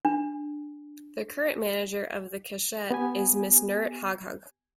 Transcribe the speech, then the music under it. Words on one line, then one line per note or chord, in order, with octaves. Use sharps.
The current manager of the Keshet is Ms. Nurit Haghagh.
D4
B3 G4 G#5